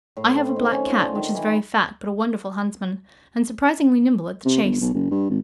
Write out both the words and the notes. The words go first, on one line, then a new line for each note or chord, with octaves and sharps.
I have a black Cat, which is very fat, but a wonderful huntsman, and surprisingly nimble at the chase.
A2
C4
D#3
C#4
F4
D3
D#3
E3
B5
C3
G1
B1
F#1
G2
G#1